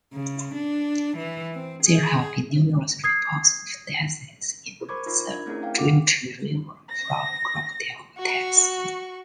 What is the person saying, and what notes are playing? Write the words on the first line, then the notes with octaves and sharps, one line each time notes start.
There have been numerous reports of deaths in the Daintree River from crocodile attacks.
C#3
D4
E3
C4
G#4
D#6 G#6 C7
A#4 C5 B5 C#6 D6 G#6
D#4 F4 A#4 B5
D4 G#6
A3 C4 C#4 E4 G#4 A#4
A#4 F5 G5
F#5 D6
A#6
F#4 C#6